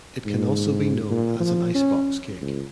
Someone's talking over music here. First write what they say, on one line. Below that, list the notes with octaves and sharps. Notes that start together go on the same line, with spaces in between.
It can also be known as an "ice-box cake".
G#2
A#2
F3
C#4
C#2